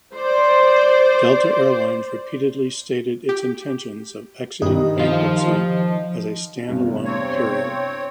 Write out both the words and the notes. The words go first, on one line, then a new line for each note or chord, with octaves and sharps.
Delta Air Lines repeatedly stated its intentions of exiting bankruptcy as a stand-alone carrier.
C5 D5
G4
G2 D#3 G4 D#5
F3 C5 F5
E2 G2 C3
C4 C#5